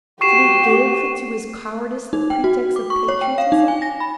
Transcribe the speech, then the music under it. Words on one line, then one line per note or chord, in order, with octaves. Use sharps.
Should he give to his cowardice the pretext of patriotism?
F#4 G4 C#6 C7 E7
D#4
G5
F#4
D6
C#6
C#5
G5
F5
D#4
G#5
A#6
B5